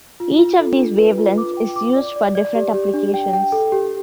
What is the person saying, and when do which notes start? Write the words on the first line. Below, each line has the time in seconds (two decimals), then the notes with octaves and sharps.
Each of these wavelengths is used for different applications.
0.20 F4
0.39 F4
0.59 A4
0.78 D4
0.98 B4
1.18 F4
1.38 D6
1.57 G5
1.76 D6
1.96 D5
2.16 D5
2.35 D5
2.55 G4
2.74 G4
2.94 D4
3.14 G5
3.33 G5
3.52 A4
3.72 G4